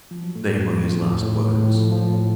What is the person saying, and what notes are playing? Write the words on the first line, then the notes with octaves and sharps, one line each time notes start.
They were his last words.
F3
F#3
A2 A3
A2
F3
F3
A2
A2
A2
A2
F3
F3
A2